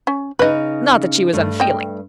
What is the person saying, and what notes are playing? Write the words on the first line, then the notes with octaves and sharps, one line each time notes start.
Not that she was unfeeling.
C#4
C#3 D#4 B4 D#5
G2 A3
D#5 G5